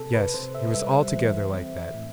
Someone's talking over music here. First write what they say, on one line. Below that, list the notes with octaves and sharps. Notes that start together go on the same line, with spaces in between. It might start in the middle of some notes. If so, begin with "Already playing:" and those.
Yes, he was altogether like that.
Already playing: C3 A4
B4
C3 C5
E5
G3 E5
E3
C4
A2